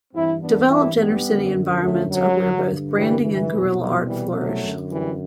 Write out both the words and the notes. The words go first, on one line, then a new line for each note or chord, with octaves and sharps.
Developed, inner-city environments are where both branding and guerrilla art flourish.
G2 E3 C4 E4
B3 D4
C4 E4
G3 B3
F#2 D3
F#3 A3
F#3
G2 D3
E3 G3
E3
C2 B2
F#3
E3 G3
F#3 A3
F#2 D3
E3 G3